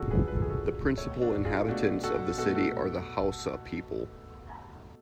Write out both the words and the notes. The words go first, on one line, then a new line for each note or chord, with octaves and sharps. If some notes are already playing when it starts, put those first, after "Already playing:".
The principal inhabitants of the city are the Hausa people.
Already playing: D3 F3 G#3 F#4 G#4 A4
G#4 B4
D3 F3 G#3 B4
A4
G#4
F#4 A4
B2 A3 A4 C#5
D4 F#4
F4 G#4
B2 A3 D4 F#4
F#4 A4
B2 A3 F#4 A4
F#4 A4